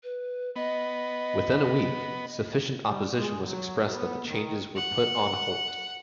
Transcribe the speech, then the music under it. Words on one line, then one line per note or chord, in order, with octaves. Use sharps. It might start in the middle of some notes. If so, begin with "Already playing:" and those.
Within a week, sufficient opposition was expressed that the changes were put on hold.
B4
B3 D#5
G3
G#3
F#3
B3
D#3
F#5